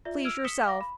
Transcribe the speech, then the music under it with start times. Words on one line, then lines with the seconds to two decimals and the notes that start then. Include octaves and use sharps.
Please yourself.
0.05 F4 D5 E5
0.24 E6 F6 G#6 D7 F7
0.44 D#6 B6 C#7 E7 G7
0.66 F5 D6 A#6
0.81 B5